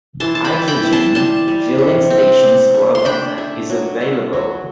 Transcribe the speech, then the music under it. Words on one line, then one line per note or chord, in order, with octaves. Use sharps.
Hydrogen Filling Stations global map is available.
E3 A5 C6
A5
G5 B5
E3
G5 B5
E3
A5 C6
G3 A5 C6
G3
C3
C4
C4
A3
C6
D4 G5 B5
A3
F#3
A3
F#3